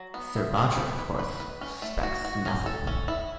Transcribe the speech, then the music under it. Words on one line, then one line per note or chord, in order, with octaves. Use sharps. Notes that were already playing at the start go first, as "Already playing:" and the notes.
Sir Roderick, of course, suspects nothing.
Already playing: F#3
B3
E4
G#4
B4
B4
B4
B4
C#4
A3
F#4
F#4
C#4
A4
C#4
E4